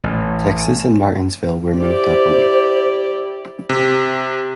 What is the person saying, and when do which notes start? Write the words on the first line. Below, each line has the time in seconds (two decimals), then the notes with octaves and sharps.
Texas and Martinsville were moved up a week.
0.04 A1
1.78 E4 G4 C5 D5
3.69 C3